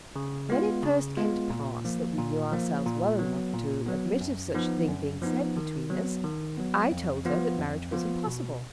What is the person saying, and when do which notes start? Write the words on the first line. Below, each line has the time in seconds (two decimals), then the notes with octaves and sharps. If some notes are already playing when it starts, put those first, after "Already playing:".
When it first came to pass that we knew ourselves well enough to admit of such a thing being said between us, I told her that marriage was impossible.
0.16 C#3
0.49 G#3 B3 F4
0.83 C#3
1.17 G#3 B3 F4
1.50 A#2
1.85 F3 A#3
2.18 A#2
2.52 F3 A#3
2.86 A#2
3.19 F#3 B3
3.54 A#2
3.86 F#3 B3
4.21 F#2
4.54 F3 B3 D#4
4.88 F#2
5.22 F3 B3 D#4
5.57 D#3
5.90 F#3 B3
6.24 D#3
6.57 F#3 B3
6.92 F2
7.25 F3 B3 F4
7.58 F2
7.92 F3 B3 F4
8.26 B2